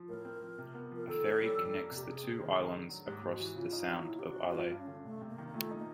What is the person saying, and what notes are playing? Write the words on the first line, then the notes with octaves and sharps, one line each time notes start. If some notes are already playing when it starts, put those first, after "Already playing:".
A ferry connects the two islands across the Sound of Islay.
Already playing: F3
A2 A#4
C4
F3
C3
B3
F3 A#4
D#3 A4
C#4
G3
F2
A#3
C3
G4
C3 G#4
C4
D#3
A2
D4
F#3
G#2 G4
G#2
F#4
E3
C#3 F4
D#4
F#3
F4
A#2 E4
D4 G4
F#4
F3
F#4
G2 F4
G2
C#4
D3
C3 A3
C3
A#3
D#3
A#3
A#2 A3
D#4
A#3